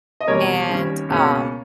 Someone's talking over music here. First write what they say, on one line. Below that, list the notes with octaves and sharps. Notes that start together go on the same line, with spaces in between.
and, um,
D#5
E2 B2 G3 A#4 C#5
D#2 D#3 G3 C#4
C#2 B2 A#3 C#4